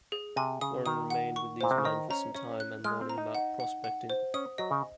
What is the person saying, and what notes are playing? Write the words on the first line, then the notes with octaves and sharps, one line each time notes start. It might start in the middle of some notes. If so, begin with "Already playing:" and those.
Warren remained with these men for some time and learning about prospecting.
G#4
C3 G#5
C#3 D#6
D#3 D#6
F#5
C#6
A#2 C5
C3
C#3
D#3 D#5
C#4 A#5
C#4 C#5
F#6
G#3 F6
C4
A#5
D#4
F#5
F#5
F#5
C5
C#4 D#6
F#3 D#5
C#3